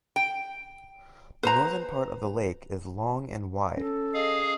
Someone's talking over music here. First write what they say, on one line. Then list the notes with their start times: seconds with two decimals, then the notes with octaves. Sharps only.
The northern part of the lake is long and wide.
0.16 G5
1.43 B4 C5 A#5
3.77 C#4 A4
4.14 G#4 D#5 F5